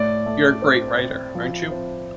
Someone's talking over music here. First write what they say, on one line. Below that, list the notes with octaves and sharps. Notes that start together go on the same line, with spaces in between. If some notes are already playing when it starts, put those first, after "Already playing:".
You're a great writer, aren't you?
Already playing: A2 D5
A3
C4
C4
F3
C4